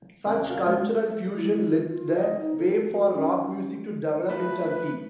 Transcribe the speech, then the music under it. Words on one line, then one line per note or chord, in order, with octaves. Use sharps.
Such cultural fusion led the way for rock music to develop in Turkey.
D#2 C3 C#4 D5 F#5 F#6
F4 F#4 A4 A#4 F5
G#3 A3
E4
F4
D#5
D#4
A4
F#4
C#4
F3 A3 B4